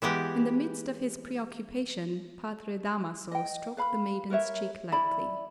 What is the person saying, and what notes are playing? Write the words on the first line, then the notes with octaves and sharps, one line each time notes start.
In the midst of his preoccupation Padre Damaso stroked the maiden's cheek lightly.
E3 G#3 B3 G4
D#5 G5
B4 F5 B5
A#4 B4 C#5 E5
E4 D5 B5